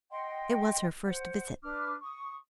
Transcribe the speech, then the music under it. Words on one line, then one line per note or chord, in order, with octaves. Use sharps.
It was her first visit.
D#5 F#5 G5 C6
C5 F#5
D4 B4 D6 F6
C#6 D#6